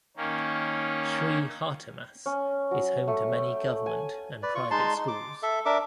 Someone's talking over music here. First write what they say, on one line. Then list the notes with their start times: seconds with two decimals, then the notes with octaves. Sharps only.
Sri Hartamas is home to many government and private schools.
0.17 D#3 A#3 C#4
2.26 C#4
2.71 F#3
3.08 A3
3.33 G5
3.86 G#5
4.43 B4 D5
4.55 F4 C#6
4.71 G#3 D#4 A5 C6
5.08 D6
5.43 A4 E5
5.66 D4 A#4 E5 D6